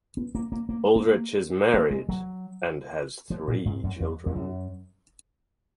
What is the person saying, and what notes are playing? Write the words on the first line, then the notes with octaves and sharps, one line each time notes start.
Aldrich is married and has three children.
B3
A#3
A#3
A#3
A#3
A#3
G#3
F#3
F3
A#2
G#2
F#2
F2
F2
F#2